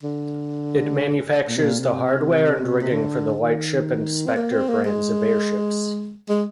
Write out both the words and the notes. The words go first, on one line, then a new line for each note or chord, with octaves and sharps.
It manufactures the hardware and rigging for the Lightship and Spector brands of airships.
D3
A#2
C3
A#2
C3
C3
D3
D#3
C4
A#3
C4
A#3
G#3
G#3